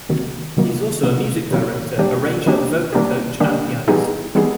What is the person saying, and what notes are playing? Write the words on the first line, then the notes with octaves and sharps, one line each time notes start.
He is also a music director, arranger, vocal coach, and pianist.
C3 D#3 F#3 A#3
C3 D#3 F#3 A#3
C3 D#3 F#3 A#3
C3 D#3 F#3 A#3
D#3 G3 A#3 D4 G4
D#3 G3 A#3 D4 G4
D#3 G3 A#3 D4 G4
D#3 G3 A#3 D4 G4
E3 G3 B3 D#4 G#4
E3 G3 B3 D#4 G#4